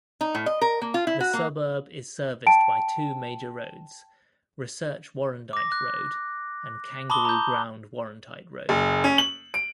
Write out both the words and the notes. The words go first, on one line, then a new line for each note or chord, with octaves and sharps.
The suburb is serviced by two major roads; Research-Warrandyte Road and Kangaroo Ground-Warrandyte Road.
D#4
A2
D#5
A#4
A#3
F4
E4
F#4
A#3
G5 A5 D7
D6 A#6
F#6
A5 B5 C6 D6 D#6 G7
A#5 G6
F#1
C#4
F#7
D7